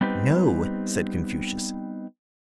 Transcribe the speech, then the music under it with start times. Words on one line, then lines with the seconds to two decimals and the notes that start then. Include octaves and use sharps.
"No," said Confucius.
0.01 G3 B3 C4 D#4 G4 B4